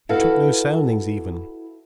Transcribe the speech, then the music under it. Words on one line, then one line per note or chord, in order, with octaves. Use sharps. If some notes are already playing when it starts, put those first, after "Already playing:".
You took no soundings even.
E4 F#4 A4 B4 F5